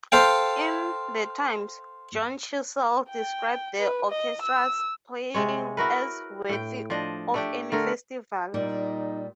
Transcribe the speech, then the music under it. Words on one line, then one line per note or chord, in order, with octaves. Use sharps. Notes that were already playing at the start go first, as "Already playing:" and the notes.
In "The Times", Joan Chissell described the orchestra's playing as "worthy of any festival".
A4 C5 F5 G5
G5
B4
D#5
E6
C3 G#3 C#5
E4 F#4 A#4 B4
A2 G5
F3 D4 D#5
A3 D4 G4
D3 A3 A#4
A#2 G3 A#3 D#4